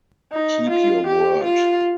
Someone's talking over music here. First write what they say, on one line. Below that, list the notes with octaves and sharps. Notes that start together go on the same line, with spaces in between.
Keep your word.
D#4
F4
G4
F4